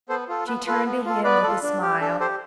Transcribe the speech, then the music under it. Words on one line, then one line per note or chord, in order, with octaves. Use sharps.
She turned to him with a smile.
B3 A4 C5
F4 A4
B3 B4
F4 A4 B4
B3
F4 A4
B3 B4 D5
F4 A4
D4
G4
D4 A4
G4 A4 C5